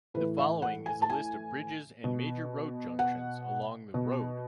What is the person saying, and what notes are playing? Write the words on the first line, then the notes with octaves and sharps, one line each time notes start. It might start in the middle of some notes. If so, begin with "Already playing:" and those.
The following is a list of bridges and major road junctions along the road.
A2 E3 B4
E5
F#5
G#5
A5
G#5
B2
F#5
B2